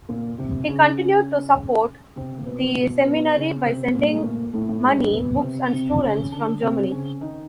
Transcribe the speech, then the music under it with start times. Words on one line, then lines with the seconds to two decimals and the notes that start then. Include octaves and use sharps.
He continued to support the seminary by sending money, books, and students from Germany.
0.09 A#2 A#3
0.38 C3 C4
0.68 C#3 C#4
2.16 C3 C4
2.38 A#3
2.46 B2 B3
2.76 B2 B3
3.05 B2 B3
3.35 C#3 C#4
3.65 C3 C4
3.94 A#2 A#3
4.03 G3
4.09 G#3
4.17 A3
4.23 A#2 A#3
4.53 A2 A3
4.69 A2 A3
4.84 G#2 G#3
4.98 G2 G3
5.13 B2 B3
5.42 C3 C4
5.72 C3 C4
6.01 C#3 C#4
6.32 D3 D4
6.61 C3 C4
6.91 C#3 C#4
7.21 D#3 D#4